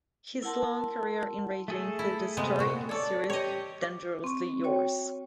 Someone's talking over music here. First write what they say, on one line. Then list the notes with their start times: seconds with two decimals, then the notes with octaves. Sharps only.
His long career in radio included starring in the series "Dangerously Yours".
0.43 E4 A#4 F#5 A5 C6
1.68 A3 G#4 A4
1.99 E4
2.37 C3 G#3 B3
2.59 A#2 F#4
2.89 A4 C#5 D5
3.30 G4 C#5 D#5
3.82 D6
4.24 C4 C#6
4.64 F#4 C#5 G5